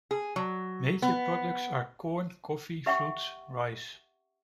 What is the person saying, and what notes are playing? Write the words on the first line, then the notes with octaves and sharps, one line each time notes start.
Major products are corn, coffee, fruits, rice.
G#4
F#3
B3
G4 E5 F#5 G5 C#6